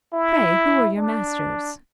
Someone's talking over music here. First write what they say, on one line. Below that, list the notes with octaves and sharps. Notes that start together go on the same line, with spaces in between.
Pray who were your masters?'
E4
D4